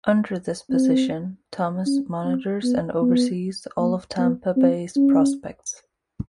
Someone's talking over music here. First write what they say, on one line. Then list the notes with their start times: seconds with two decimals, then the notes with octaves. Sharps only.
Under this position, Thomas monitors and oversees all of Tampa Bay's prospects.
0.70 C4
1.87 C#4
2.25 C4
2.63 B3
3.02 B3
3.79 A#3
4.19 B3
4.56 C4
4.96 C#4